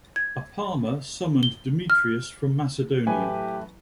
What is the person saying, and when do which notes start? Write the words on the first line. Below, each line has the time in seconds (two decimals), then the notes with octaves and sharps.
Apama summoned Demetrius from Macedonia.
0.16 G#6
1.43 G7
1.90 F6
3.07 A1 F#3 A3 G4 B4 G#5